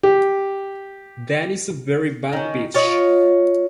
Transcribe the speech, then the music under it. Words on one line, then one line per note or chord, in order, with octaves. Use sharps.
That is a very bad pitch.
G4
D#3 C#4
F4 C#5 D#5